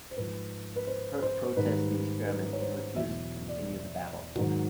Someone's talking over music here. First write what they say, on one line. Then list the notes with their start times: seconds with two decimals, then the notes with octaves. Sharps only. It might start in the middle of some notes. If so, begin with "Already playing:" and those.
Kirk protests the experiment and refuses to continue the battle.
0.11 C5
0.17 G#2 F3 B4
0.76 B4
0.87 C5
1.22 C5
1.56 G#2 D#3 G3 B4
2.27 B4
2.53 C#5
2.61 C5
2.96 E2 B2 F#3 E5
3.48 D5
4.35 G#2 D#3 F#3